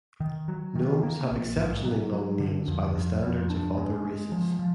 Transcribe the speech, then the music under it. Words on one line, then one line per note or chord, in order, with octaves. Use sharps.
Gnomes have exceptionally long names by the standards of other races.
D#3
F#3
D#3
A#3
A#1
G#2
F#3
F#3
D3
F2
F2
F2
D4
G#3
G#3
F3
F3